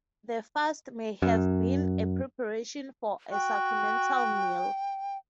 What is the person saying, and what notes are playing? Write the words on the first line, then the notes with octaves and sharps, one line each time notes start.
The fast may have been a preparation for a sacramental meal.
F#2
F#4 G5